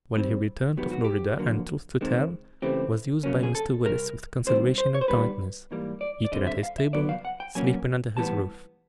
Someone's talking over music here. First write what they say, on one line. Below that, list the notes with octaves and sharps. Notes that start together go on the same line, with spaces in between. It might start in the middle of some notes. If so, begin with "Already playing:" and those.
Well, he returned to Florida, and, truth to tell, was used by Mr. Willis with consideration and kindness, eating at his table, sleeping under his roof.
F#2 D#3 G3 C4
G#2 D#3 F#3 B3 G4
F#4
G4
F2 D3 F#3 A#3
C#2 C3 D#3 G#3 C4
C#2 C#3 E3 A3 C4 G4
F#2 C#3 F#3 A#3 C#4
G#4
A4
C2 C3 A#4
D#2 D#3 G3 C4 C5
C5
C#5
C5
G2 D#3 G3 B3 B4
G#2 E3 G3 A#3
D5
D5
D#2 D3 G3 C4 D#5
E5
F5
E5
D#2 C#3 F#3 B3 D5
F5
F#5
G5
A#2 F#3 A#3 C#4 G#5
B1 A2 E3 G3 B3 A5